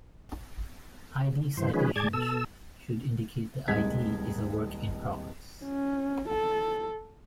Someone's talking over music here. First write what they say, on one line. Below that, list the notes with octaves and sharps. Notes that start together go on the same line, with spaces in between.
I-D citations should indicate the I-D is a "work in progress".
G2 E3 C5
D#3 F3 G#3 C#4 G#4 B4
G#2 G#4 D5 A5 G#6
B2 A4 E6
D#1 C2 G#3 D#5 G#6 B6
C#4
A4